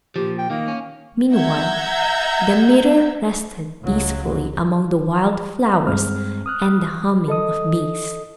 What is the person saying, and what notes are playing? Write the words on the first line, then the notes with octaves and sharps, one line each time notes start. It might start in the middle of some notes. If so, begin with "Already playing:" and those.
Meanwhile the mirror rested peacefully among the wild flowers and the humming of bees.
A#2 F3 G4
G5
D#3 A#3
C#4
E5 F#5 A#5 E6 G6 G#6
C#2 F#3
G2 G#3 C4 F6
D#6 F6 F#6
A4 D#5 D#6